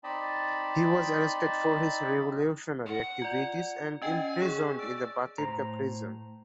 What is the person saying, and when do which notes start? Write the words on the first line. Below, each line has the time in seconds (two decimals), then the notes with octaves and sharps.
He was arrested for his revolutionary activities and imprisoned in the Butyrka prison.
0.04 C4 D#4 D5 D#5 A5 B5
2.86 F#5
3.22 F4 D5
4.02 C#4 D#5 G5 G#5
4.40 G#4 C#5
4.79 D5 E6
5.38 A2 C5 A#5